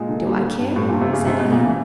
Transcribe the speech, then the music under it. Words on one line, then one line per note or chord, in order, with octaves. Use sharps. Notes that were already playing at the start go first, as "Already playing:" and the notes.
"Do I care?" said he.
Already playing: A#2 G#3
D3
G3
G3
G2
A2 G3
A#2
G2
C3
C#3 G3
C3 G#3
B2
C#4
A#2
E3 C#4